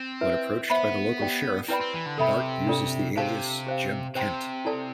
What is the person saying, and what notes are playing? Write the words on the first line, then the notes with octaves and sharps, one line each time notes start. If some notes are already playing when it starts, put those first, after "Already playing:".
When approached by the local sheriff, Bart uses the alias "Jeb Kent".
Already playing: C4
E4 B4 E5
B3 C5 E5 B5
G4 D5 G5
C4 E4 B4 D5 G5 B5
C4
E3
D3
C3 A4 E5 B5
D4 F4 A4 D5
C3 G4 C5 F5 A5
G4 C5 F5
C3 C5 G5 C6
E4 A4 D5 A5 C6